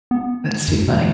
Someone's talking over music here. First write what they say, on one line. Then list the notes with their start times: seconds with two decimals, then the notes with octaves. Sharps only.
That's too funny.
0.11 B3
0.68 F#2
0.88 B2